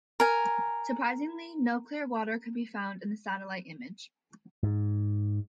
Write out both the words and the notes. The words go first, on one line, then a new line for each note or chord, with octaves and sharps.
Surprisingly no clear water could be found in the satellite image.
A#4 G#5
G#2